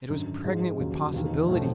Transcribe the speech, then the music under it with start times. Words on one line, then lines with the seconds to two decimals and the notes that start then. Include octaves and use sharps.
It was pregnant with possibilities.
0.09 G#1 F#2 D3
0.44 G#2 F3 G#3
0.79 E1 D#2 C#3 F#3
1.13 E1 D#2 D#3
1.48 B1 A2 F3 A3